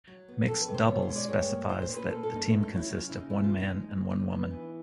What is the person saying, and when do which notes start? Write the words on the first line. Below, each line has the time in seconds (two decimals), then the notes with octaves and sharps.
Mixed doubles specifies that the team consist of one man and one woman.
0.07 F#3
0.28 B3
0.48 F2 A4
0.61 B4
0.68 C3
0.74 C5
0.88 B2 C#5
1.02 C5
1.09 G#3
1.16 D5
1.28 G2 C#5
1.48 A#3
1.69 A#2 C5
1.82 C5
1.89 A#2
1.96 B4
2.09 A#3 A4
2.23 A4
2.30 G2
2.36 D#4
2.50 A3 E4
2.63 D#4
2.69 F#3
2.76 E4
2.90 C#3 F4
3.09 C#3 E4
3.20 D#4
3.30 B2 E4
3.44 F4
3.50 B2
3.58 D#4
3.70 G#3
3.91 C4
4.10 D4 D#4
4.31 B3
4.51 E3